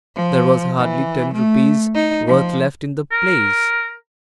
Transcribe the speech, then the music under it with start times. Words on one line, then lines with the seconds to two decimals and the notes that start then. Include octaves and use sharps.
There was hardly ten rupees' worth left in the place.
0.15 F3
0.78 E3
1.34 A3
1.95 D#4
2.27 F3
3.12 A#4